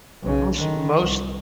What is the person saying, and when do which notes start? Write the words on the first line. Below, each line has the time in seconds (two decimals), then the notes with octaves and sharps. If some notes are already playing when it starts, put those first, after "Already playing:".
Most most
0.23 B1 C#3
0.55 D3 D#3
1.01 C2